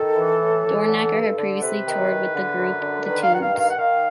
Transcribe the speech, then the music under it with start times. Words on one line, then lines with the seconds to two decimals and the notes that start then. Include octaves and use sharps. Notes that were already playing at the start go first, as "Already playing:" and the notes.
Dornacker had previously toured with the group The Tubes.
Already playing: D#3 A4
0.16 E3
0.41 A2
0.64 E3
0.88 D3
1.12 G2
1.37 D3
1.60 C3 B4
1.85 D#3
2.09 E2
2.33 D3
2.57 F#2
2.81 D3
3.05 D#3 B4
3.23 F5
3.29 G2 F#5
3.41 F5
3.53 D#3
3.59 F5
3.69 F#5
3.77 D#3 F5